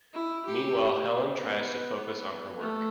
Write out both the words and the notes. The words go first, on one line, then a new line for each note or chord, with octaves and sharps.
Meanwhile, Helen tries to focus on her work.
E4
G4
B3
A3